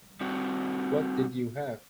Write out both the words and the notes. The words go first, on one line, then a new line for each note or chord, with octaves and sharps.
What did you have?
G3 C4 F#4